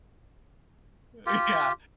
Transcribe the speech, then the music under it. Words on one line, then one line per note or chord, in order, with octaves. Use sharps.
Uh, yeah,
F4 G4